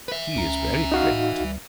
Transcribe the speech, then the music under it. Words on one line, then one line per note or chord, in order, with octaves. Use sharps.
He is very great.
B4 E5
C#2 C#4 A#5
D#4 F#4 F5
A2
C#2 G3